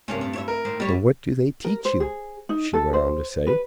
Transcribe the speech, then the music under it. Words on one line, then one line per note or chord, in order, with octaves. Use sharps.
"And what do they teach you?" she went on to say.
G2 C3 A#3 C#4
A2
E4 C#5 E5
A#4
D#2 A2 C5
G3 A#4 C#5
A#4
C5
G#4
D#4
A4
C5
B4